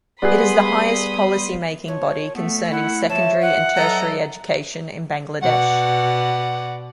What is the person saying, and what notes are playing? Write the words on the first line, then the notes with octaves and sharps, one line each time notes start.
It is the highest policy making body concerning Secondary and Tertiary education in Bangladesh.
G3 B3 G#4 D5 B5 C6 D#6 F#6
F3 C#5
A3 B3
E4 F#5
F3 C#5 E5 A5
F#5
G2 E3 F#3 A4 D#5 A#5
B2 D5 F#5